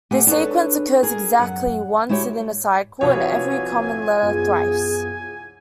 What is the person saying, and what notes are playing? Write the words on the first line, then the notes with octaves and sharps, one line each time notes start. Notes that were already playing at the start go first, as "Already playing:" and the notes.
This sequence occurs exactly once within a cycle, and every common letter thrice.
A3 G4 F#5 G#5
D4 G#4 A4 B4 C#5
G#4 A#4
F#2 F#5
G#3 E4 F#4 G4 C#5
C2 F3 C4 F#4 B4 C#5 G#5
F#2 B3 F4 G#4